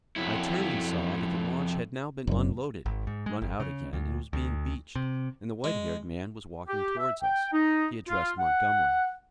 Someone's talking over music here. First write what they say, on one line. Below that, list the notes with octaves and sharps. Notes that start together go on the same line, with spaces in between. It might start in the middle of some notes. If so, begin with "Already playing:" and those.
I turned and saw that the launch had now been unloaded, run out again, and was being beached, and the white-haired man was walking towards us. He addressed Montgomery.
F2 F#3 E4
F#1 F#2
G#1
G#2
G#3
G1
C#3
D2
D2
C3
G#3
G4
E5
G5
D#4
F4
F#5